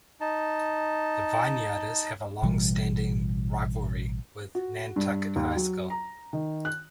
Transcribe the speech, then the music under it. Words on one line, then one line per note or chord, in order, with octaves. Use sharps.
The Vineyarders have a long-standing rivalry with Nantucket High School.
D#4 A5
A1 B2 E3 G3
F#4
G2
D#2
F#3
A#5
D#3
F#6